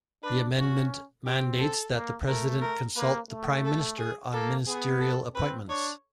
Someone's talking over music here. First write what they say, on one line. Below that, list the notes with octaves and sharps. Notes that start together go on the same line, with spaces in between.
The amendment mandates that the president consult the prime minister on ministerial appointments.
D4 B4
C#4 F#4
C4 G4
A4
A#3
A3 A#4
A#4
A#3 B4
A3
A4
G#4
A#3 A4
B3 G#4
A4
C4 B4
D4 C#5